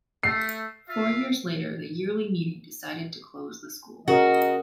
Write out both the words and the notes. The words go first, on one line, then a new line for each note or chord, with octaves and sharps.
Four years later the Yearly Meeting decided to close the school.
A3 C7
F4 E5 F5
C#4 F#4 G#4 A#4 D#5